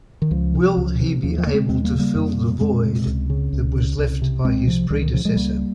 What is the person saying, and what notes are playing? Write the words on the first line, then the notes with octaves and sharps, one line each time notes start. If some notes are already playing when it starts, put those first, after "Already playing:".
Will he be able to fill the void that was left by his predecessor?
D#3
C#2 F3
C3
C#2
C3
D#2 F3
F3
C#3 A#3
G#3 C4
D#2 G#3 C4
G3 A#3
C#3
G3 A#3
F2
C3
F2 G#3 C4
C3
C#2
C#3
C#2
C#3
C2
C3
C2 G#3 C4
C3 F3
C#2 D#3 G3
D#3
C#3 F3
F3 G#3
C#2 G3 A#3